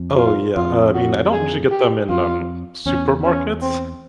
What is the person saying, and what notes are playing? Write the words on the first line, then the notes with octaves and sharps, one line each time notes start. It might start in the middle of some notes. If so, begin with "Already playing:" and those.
Oh, yeah, uh, I mean, I don't usually get them in, um, supermarkets.
Already playing: F2
F4
F2 F4
F#4
G#4
G4
F2 F4
E2 C#4
C#4
C4